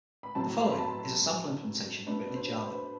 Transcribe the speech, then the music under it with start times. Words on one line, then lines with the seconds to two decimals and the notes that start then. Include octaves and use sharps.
The following is a sample implementation written in Java.
0.23 B5
0.35 A2 F#3 A3 C4 A5
0.60 C6
0.69 B5
0.78 A5
2.07 B2 A3 D4 B4
2.35 C5
2.54 B4
2.64 C5